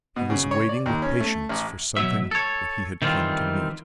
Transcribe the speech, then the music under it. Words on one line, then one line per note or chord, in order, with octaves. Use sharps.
He was waiting with patience for something that he had come to meet.
B2
C#3
C#5
D5
D#2
C#4
A3
A1
B2 F#3 E5
A4 C#5
D#3 E3 G3 C4 F4